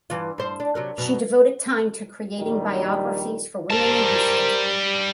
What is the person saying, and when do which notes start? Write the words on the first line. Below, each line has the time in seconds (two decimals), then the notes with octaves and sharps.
She devoted tine to creating biographies for woman in history.
0.10 G2 E3 F4
0.38 G2 C5
0.60 D4
0.75 C3 F#3 A#4
0.98 F#2 B2
2.37 A#1 D#3 G3
3.70 G3 A#4 C5 A5